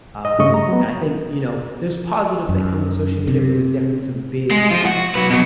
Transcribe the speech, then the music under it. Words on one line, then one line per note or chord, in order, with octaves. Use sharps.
Uh, I think, you know, there's positives that come with social media, but there's definitely some big,
D#5
G2 C#3 A3 D#5 C#6
A#5
F#3 B3
F#2
C3
G#3
F3 F4
F#4
F#3 B4
B2 F#3